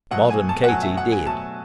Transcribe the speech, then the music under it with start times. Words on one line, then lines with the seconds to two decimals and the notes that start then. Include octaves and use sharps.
Modern Katie did.
0.11 B2 F#3 A3 F#5
0.30 G#5
0.49 A5
0.64 F#5
0.68 B2 F#3 A3 G#5
0.83 E5
0.97 F#5
1.12 G#5
1.26 B2 F#3 A3 A5